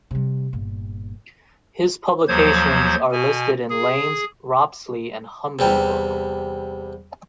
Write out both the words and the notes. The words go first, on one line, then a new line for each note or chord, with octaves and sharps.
His publications are listed in Lane's Ropsley and Humby book.
C3 G3
G1 A#2
D#2 F3 F#3 C5 G#6
B2 G#5
G#4
E2 C3 G3